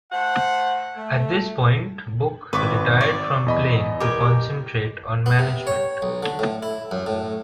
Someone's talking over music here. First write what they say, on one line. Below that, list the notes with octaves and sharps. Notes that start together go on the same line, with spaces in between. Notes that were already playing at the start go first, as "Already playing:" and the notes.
At this point Book retired from playing to concentrate on management.
A3 C5 F#5
A3
G#1 B4 C#6 D6
C#5 D5
E2 D#5 B5
G4 A#4 G#5
B3
C3
C#5
B1
D3
A2
E4
F#2
A2